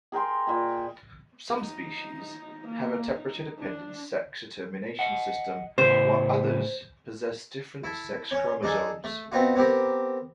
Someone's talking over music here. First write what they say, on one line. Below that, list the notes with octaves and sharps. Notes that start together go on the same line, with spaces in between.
Some species have a temperature-dependent sex determination system, while others possess different sex chromosomes.
G#4 A#4 G5 C6
A#2 D#5 B5
D#4
A#3
D#4
D4
D#5 F#5
A2 C#3 B4 C5
E4 A4
C#4 C#5
D4 D#4 G#4 A4
A3
B3 C4 D#4 F4 F#4
B3 C4 G4 A#4